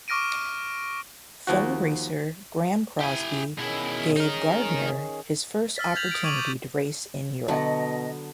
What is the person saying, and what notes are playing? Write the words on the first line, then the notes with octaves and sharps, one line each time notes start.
Fellow racer, Graeme Crosby gave Gardner his first opportunity to race in Europe.
C#6 D6 F6 A#6 D7 D#7
D#2 F3 F#4
E4 G4 G#5
B2 D#3 C#4 E4 G#4
D#4 A#4
E6 F6 A6 B6
G6 G#6 B6 F7 F#7
D#6 D7
C#6 D6 G#6 D#7 F7 F#7
G6
B2 D3 F#3 B3 D#5